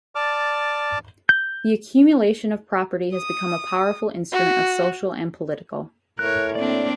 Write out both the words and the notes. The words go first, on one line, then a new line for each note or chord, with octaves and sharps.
The accumulation of property has become a powerful instrument of social and political.
D5 A5 D6 F6
G6
D#6
F#4
A2 A#4 C#5 F#6
A#3 C4 D4 D5